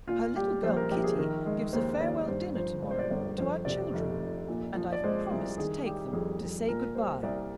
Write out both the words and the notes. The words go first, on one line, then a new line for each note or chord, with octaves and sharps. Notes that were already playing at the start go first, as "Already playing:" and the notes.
"Her little girl Kitty gives a farewell dinner to-morrow to our children; and I've promised to take them to say good-by."
A#2 F4
G3 G4
A#1 C5
A#4
A#1 G4
G#4
D#3 A#4
G#3
D#2 C5
D#2 D5
G2 C5
F3 C5
G#3 D5
C5
D5
G1
F2 C5
C3 D5
F1
F1
A#2
F3
D5
G#3 C5
C2
D#3 G#4
G3 G4
F2 G#4
F2
A#2 A#4
G3 C5
C2 D5